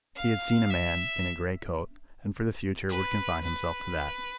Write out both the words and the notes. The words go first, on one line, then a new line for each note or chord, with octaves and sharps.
He had seen a man in a grey coat, and for the future would confine himself to that.
F5
E5
B4
B4